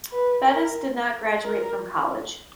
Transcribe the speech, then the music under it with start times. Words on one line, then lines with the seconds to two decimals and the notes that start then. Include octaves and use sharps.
Bettis did not graduate from college.
0.12 B4
0.45 A#4
1.44 A#4